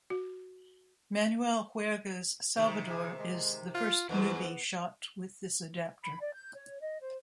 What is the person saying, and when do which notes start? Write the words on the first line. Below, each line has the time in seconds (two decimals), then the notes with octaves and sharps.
Manuel Huerga's "Salvador" is the first movie shot with this adaptor.
0.10 F#4
2.57 C3 D#3
2.90 G#4
3.19 G#3
3.74 F4
4.09 E2 G#2 B3
6.03 B5
6.21 D5
6.34 G6
6.54 C#5
6.81 D#5
7.01 C5